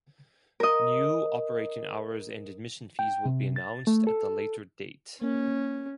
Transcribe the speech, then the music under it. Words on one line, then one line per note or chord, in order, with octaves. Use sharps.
New operating hours and admission fees will be announced at a later date.
A#4 D#5
G5
C3
A6
A3
A4
A#3 C#4